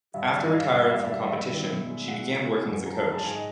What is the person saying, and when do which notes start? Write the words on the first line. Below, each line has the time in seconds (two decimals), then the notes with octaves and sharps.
After retiring from competition, she began working as a coach.
0.14 G2 E5
0.24 E5
0.34 G2 D5
0.44 D#5
0.53 G2 F5
0.72 G2 F#5
0.84 F5
0.91 G2 E5
1.01 D5
1.11 G2 E5
1.21 D#5
1.31 G2 E5
1.50 D#3
1.69 B2
1.88 G#3
2.08 B2 F#5
2.28 G#3
2.47 G#3
2.66 F#2
2.86 F#2 A#5
2.95 A5
3.05 G#3 A#5
3.15 A5
3.24 G#2 G#5
3.34 D#5